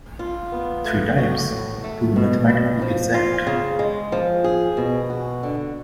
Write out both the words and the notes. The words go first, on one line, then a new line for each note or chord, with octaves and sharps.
Three times, to be mathematically exact.
F4
B3
A3
F#4
A2
A3
B2
B2
F3
F4
C#3
G#3
F3
G#4
B2
F#4
D3